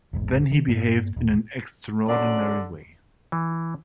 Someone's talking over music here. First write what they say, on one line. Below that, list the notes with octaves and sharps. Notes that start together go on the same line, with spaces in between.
Then he behaved in an extraordinary way.
E1 A1 G#2
D#3
G2 A#3 B3
D#1
F#2 D3 D5
E3